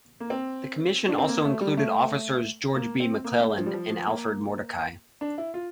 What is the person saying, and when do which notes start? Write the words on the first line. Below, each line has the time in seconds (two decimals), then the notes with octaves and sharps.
The commission also included officers George B. McClellan and Alfred Mordecai.
0.20 A#3
0.30 C4
1.08 D4
1.18 C4
1.29 A#3
1.45 A3
1.61 G3
1.77 A3
2.75 A#3
3.00 C4
3.24 A#3
3.41 A3
3.57 F3
3.66 G3
3.74 F3
3.90 F3
4.07 A#3
5.21 D4
5.38 E4
5.54 F4